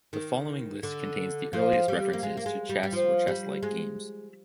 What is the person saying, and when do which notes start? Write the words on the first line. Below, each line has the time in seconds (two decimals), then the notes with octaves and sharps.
The following list contains the earliest references to chess or chess-like games.
0.13 D#3
0.83 D3
1.53 F3
1.88 G3
2.13 A#3
2.23 G#3
2.37 A#3
2.46 G#3
2.69 G3
2.83 G3
2.93 F3
3.27 G3
3.63 G#3